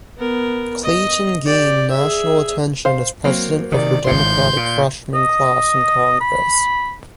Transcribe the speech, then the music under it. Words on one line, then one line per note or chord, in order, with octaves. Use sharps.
Clayton gained national attention as president of her Democratic freshman class in Congress.
B3 A#4
D#5
G4 D5
G#4 E5
C5 F5
F#3 A#3 C4
C3 D#3 D5
G#1 A2 F4 C6 G6
A#2
D#5
B5